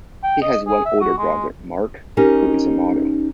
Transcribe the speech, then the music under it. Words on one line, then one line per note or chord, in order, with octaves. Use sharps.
He has one older brother, Mark, who is a model.
G5
D#5
G#4
E5
F#4
G#3
C#4 D#4 G4 A#4